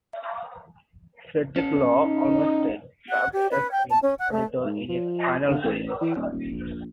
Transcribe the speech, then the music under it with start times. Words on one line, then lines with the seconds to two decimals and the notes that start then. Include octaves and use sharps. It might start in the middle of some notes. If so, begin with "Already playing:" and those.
Frederick Law Olmsted served as its editor in its final two years.
1.56 C#4 A4
2.06 D#4
3.09 F#5
3.33 G4
3.51 B4
3.71 G5
3.90 A5
4.02 C#4
4.19 F#5
4.32 A3
4.64 G#2
4.89 F3
5.49 D3
5.64 A1
6.01 E3
6.16 D#1
6.32 D#1
6.51 A#1